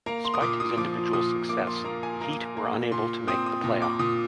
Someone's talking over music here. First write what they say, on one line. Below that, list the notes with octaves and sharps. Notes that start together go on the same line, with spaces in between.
Despite his individual success, the Heat were unable to make the playoffs.
A#3 A#5
C6
D#6
A#2 D6
D#6
F3 D6
A#2 D#6
A#3 D6
C6
A#3 A#5
G#5
A#3 A#5
A#3
A#2 C6
C4 D#6
D#6
A#2
D6
A#2 D#6